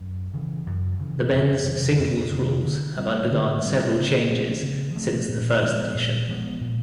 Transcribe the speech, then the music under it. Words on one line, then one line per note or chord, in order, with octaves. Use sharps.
The men's singles rules have undergone several changes since the first edition.
F#2
C#3 E3
F#2
C#3 E3
F2
C3 D#3 F#3
F2
C3 D#3 F#3
D3
G3 C4
D3
G3 C4
C#3
F3 A3 C4
C#3
F3 A3 C4
A#2
F3 G#3 B3
A#2
F3 G#3 B3
A#2